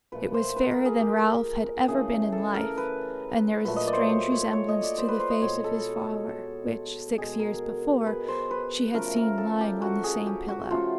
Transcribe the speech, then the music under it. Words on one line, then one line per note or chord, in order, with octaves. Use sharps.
It was fairer than Ralph had ever been in life, and there was a strange resemblance to the face of his father, which, six years before, she had seen lying on the same pillow.
A#2 F3 A3 B4
C5
B4
A#4
G#4
G4
C#3 E3 A3 G#4
A4
A#4
B4
A#2 F#3 A3 B4
D#5
D5
C5 C#5
C5
C#5
C#5
D#5
D5
C5
B4
C5
D#5
B2 G#3 C#5
A4
A4
B2 G#3 G#4
A#4
B4
C5
B4
C#3 F3 A3 A#4
A#4
A4
G4
F#4
G#4
G4
F#4
C#3 F3 A3 F4